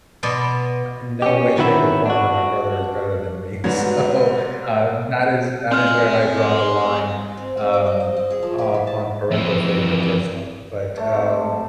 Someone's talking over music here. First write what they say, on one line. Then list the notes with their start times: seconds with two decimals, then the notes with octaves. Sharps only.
a no way, shape or form that my brother is better than me. So, uh, that is that is where I draw the line, um, o on parental favoritism. But, um
0.23 B2 B3 D5 C6
1.22 C#4 G4
1.58 D#3 F#3 B3 C4 E4
2.06 D4 F#4
3.64 G#2 F#3 G3 B3
5.71 C4 G#5 C6 F6
7.37 C4
7.57 C4
7.73 D6
7.87 D#5
8.00 C5
8.16 D#5
8.30 G#4
8.43 F3
8.58 G4
8.74 E3
8.87 A5
9.31 F2 E3
10.97 A3 C#5
11.14 C3